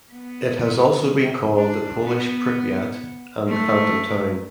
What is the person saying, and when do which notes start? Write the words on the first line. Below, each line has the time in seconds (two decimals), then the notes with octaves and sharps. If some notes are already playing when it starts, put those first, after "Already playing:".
It has also been called the "Polish Pripyat" and the "Phantom Town".
0.13 B3
1.56 D4
2.04 B3
3.47 A3